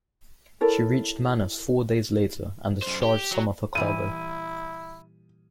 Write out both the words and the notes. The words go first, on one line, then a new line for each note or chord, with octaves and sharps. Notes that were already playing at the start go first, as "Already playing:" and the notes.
She reached Manus four days later and discharged some of her cargo.
E4 A4 A#4 C#5
F#2 C5
G4
F#3
A#2 E3 G3 E4 D#7